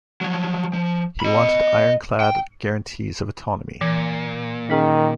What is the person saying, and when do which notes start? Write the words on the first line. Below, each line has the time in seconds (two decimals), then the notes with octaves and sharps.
He wanted 'iron clad guarantees of autonomy'.
0.21 F3 F#3
0.73 F3
1.20 D#5 B5
2.20 G5
3.81 A#2 E3
4.70 D#3 C#4 G#4